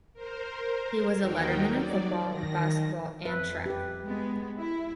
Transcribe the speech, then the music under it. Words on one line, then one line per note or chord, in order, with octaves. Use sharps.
He was a letterman in football, basketball, and track.
A#4 C5
D#2 D#4 F#4 A#4 G5
F#3 D5
D#3 A#6
F2 B4 E5
G4 B4
G#3 B3
E4